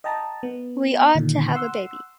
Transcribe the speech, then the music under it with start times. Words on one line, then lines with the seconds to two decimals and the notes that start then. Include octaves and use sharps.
We ought to have a baby.
0.04 D#5 G5 A5 A#5
0.43 B3
1.15 A#2 D3 D#3
1.54 F#5 C6 E6